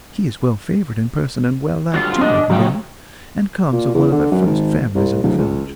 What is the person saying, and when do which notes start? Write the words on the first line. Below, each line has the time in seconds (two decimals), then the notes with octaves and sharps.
He is well favored in person, and well liked, too, I believe, and comes of one of the first families of the village.
1.94 D3 F#3 G3 F4
2.21 D4 D#5
2.50 G2 C#3 F#3 G#3 G5
3.72 A#2
3.95 E2
4.12 D3
4.32 F#2
4.45 G#1
4.95 C2
5.23 D1
5.38 C#2